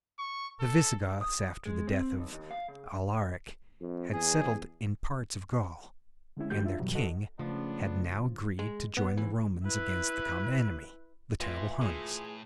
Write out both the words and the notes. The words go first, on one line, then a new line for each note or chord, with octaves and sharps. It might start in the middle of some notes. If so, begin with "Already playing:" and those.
The Visigoths after the death of Alaric had settled in parts of Gaul, and their king had now agreed to join the Romans against the common enemy--the terrible Huns.
C#6
A4
D#6
G#3
C4
B1
D#2
F5
C#3
F2
E2 G#4
D3 G#3 C#4 E4
D#3 G#3 A3 F#4 G4 G6
D4 F4 E5
G2 B2 E3 F#3 G3
F#4 A4 D#5
C#3 F3 A3 B3 D4
G#3
B3
E3
E4 B4
A2 E3 F4 C6
A2 G#4